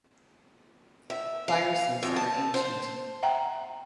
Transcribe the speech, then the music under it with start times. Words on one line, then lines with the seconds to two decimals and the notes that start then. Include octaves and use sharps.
Viruses are ancient.
1.10 E5
1.48 F5
2.03 F2
2.16 A5
2.54 C5
3.23 E5 F#5 G5 A#5